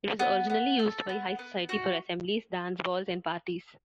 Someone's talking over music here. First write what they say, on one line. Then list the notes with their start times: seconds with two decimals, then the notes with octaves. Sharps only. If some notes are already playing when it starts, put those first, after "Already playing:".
It was originally used by high society for assemblies, dance balls and parties.
0.19 B3
0.50 B3
0.79 A4
1.09 B3
1.39 B3
1.69 F#4